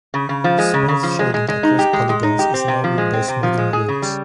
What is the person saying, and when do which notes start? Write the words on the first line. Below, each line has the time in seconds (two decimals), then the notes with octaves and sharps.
Smooth shading across polygons is enabled by smoothing groups.
0.14 C#3
0.29 C#3
0.44 F3
0.58 G#3
0.74 C#3
0.88 C#3
1.03 F3
1.19 G#3
1.34 G#3
1.48 G#3
1.63 D#4
1.79 G4
1.93 G#3
2.09 G#3
2.23 D#4
2.39 G4
2.54 C4
2.68 C3
2.84 F3
2.98 G#3
3.13 C4
3.28 C3
3.43 F3
3.58 G#3
3.73 G#4
3.88 C#3
4.02 G3